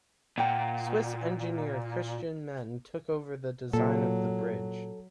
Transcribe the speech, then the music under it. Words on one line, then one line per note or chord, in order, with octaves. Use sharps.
Swiss engineer Christian Menn took over the design of the bridge.
A#2 F#5 G5 A#5
A#2 F#3 A4